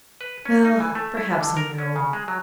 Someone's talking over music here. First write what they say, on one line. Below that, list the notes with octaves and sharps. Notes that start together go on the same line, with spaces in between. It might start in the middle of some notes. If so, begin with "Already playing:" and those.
Well, perhaps I know.
B4
C#4
D#4
E3
A3
E4
D3
A#4
C#4
C#3
G#3
F#3